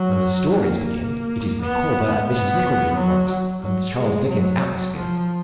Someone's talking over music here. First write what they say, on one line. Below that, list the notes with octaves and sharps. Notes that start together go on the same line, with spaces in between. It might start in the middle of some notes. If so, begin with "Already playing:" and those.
When the stories begin, it is Micawber and Mrs. Nickleby we want, and the Charles Dickens atmosphere.
Already playing: F#3
A#3
B3
B3
F#3
F#3
G#3
F#3
F3